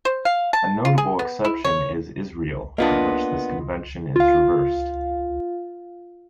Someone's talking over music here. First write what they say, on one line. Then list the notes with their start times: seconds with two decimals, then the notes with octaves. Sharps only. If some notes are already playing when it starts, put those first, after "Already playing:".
A notable exception is Israel, in which this convention is reversed.
0.05 C5
0.25 F5
0.53 A5
0.85 F4
0.98 G#4
1.19 B3
1.45 E4
1.64 C#5
2.78 A#3 B3 D4 F4 D#5
4.16 F4 F5